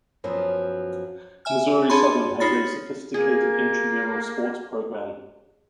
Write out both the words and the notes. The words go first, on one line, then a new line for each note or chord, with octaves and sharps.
Missouri Southern has a sophisticated intramural sports program.
F#2 F3 F#3 B3
E5 G#5 F6
D4 G#4 C#5 A5 B5 C6
D#4 F4 C#5 B5 A6
A#3 G#4